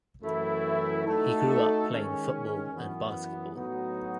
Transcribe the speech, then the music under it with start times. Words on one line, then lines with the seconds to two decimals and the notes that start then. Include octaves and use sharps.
He grew up playing football and basketball.
0.21 F#2 E3 A3 E4
1.05 A3 D#4 F#4 A4
1.88 D#3 G#3 C#4
2.71 F#2 E3 B3
3.54 A2 F#3 B3 D#4 F#4